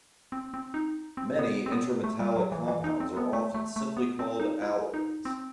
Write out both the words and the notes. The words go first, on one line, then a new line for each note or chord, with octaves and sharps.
Many intermetallic compounds are often simply called alloys.
C4
C4
D#4
C4
B3
C4
B3
A3
G3
F#3
E3
E3
D#4
C4
B3
A3
A3
A3
B3
C4
D#4
E4
D#4
C4